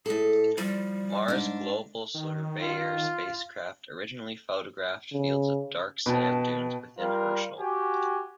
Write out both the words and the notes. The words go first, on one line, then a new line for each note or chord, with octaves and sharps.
Mars Global Surveyor spacecraft originally photographed fields of dark sand dunes within Herschel.
A2 G#4 A4
F3 G3
G#2 D4
D#3
F4
C#3
B2 B4 G5 A5
G3 F4 A#4
F#4 G4 G#5